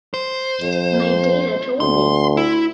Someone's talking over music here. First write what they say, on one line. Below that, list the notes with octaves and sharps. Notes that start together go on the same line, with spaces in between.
My data told me.
C5
F2
D2 C6
E4